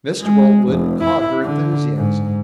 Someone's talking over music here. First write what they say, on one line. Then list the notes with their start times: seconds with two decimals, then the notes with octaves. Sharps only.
Mr. Boltwood caught her enthusiasm.
0.22 G#3
0.69 F1
1.04 E4
1.43 D3
1.97 G#2